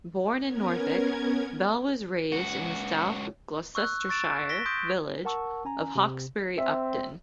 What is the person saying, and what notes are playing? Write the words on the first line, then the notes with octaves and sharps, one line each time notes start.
Born in Norfolk, Bell was raised in the South Gloucestershire village of Hawkesbury Upton.
B3 C#4 A#4 G#6
C#2 F#4
C#6 E6 F#6
C#6 A6 D7 E7
A#6 B6 D7 G7
C6 D#6 G6 D7
A#4 F#5 A5 C#6 E6
C#4 G#5 A#5
C3
C4 E5